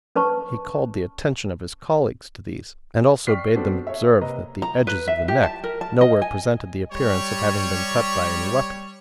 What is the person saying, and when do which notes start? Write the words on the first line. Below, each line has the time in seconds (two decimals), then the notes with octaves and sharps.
He called the attention of his colleagues to these, and also bade them observe that the edges of the neck nowhere presented the appearance of having been cut by any weapon.
0.16 C#4 B4 A5 C#6
3.27 D5 G5 C#6 F6 B6 C7
3.56 B3 C4 D4 F#4 A4
3.87 C#5 E5
4.21 C3 A#3 A#4 B4 D#5 A#5
4.62 A#5
4.87 B4
5.07 E5
5.28 G4
5.43 A5
5.64 A#4
5.81 A5
6.01 D#5
6.22 G#5
6.92 G3 C#5